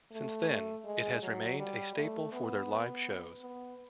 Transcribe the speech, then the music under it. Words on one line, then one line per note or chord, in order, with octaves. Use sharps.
Since then, it has remained a staple for their live shows.
A3
G#3
F#3
G3
A3
B3
B3